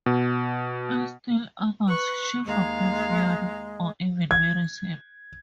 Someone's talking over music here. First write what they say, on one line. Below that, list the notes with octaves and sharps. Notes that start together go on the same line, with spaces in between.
In still others she forgives Fionn, or even marries him.
B2
B4 C#6 F#6
D#2 G#3 F5 A#5
G#6